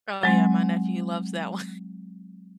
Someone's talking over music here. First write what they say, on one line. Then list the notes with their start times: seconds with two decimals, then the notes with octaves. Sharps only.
Oh, yeah, my nephew loves that one
0.23 F#3 G#3 C4